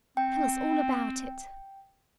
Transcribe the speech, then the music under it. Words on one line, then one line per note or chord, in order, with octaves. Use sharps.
Tell us all about it.'
C4 G5